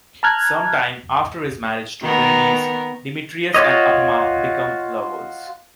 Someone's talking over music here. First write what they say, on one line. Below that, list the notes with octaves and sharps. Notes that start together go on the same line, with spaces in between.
Sometime after his marriage to Berenice, Demetrius and Apama became lovers.
A5 A#5 F6 F#6 G#6
D#3 B3 A#4
F4 F#4 C#5 D#5